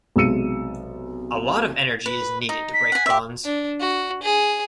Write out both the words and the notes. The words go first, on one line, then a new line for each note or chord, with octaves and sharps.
A lot of energy is needed to break bonds.
B1 C3 G#3 E6 C#7 D#7
B4
D#4
B6
F#5 G#5
G4 E5
D4
F#4
G#4